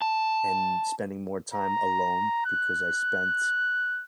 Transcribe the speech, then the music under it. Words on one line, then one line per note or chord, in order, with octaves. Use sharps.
and spending more time alone because I spent
A5
A#5
F#6